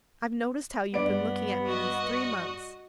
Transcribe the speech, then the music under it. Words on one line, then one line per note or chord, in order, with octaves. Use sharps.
I've noticed how you've been looking at me these three months.
G2 B3 D5 D7
F#4 D#5